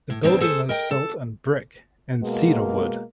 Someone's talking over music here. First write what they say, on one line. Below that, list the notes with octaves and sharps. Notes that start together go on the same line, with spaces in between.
The building is built in brick and cedar wood.
A2
E2 B2 C4 D4 A#5
G#4 A4 C5
A#4 D#5 G5
A4
B2 G#3 A#3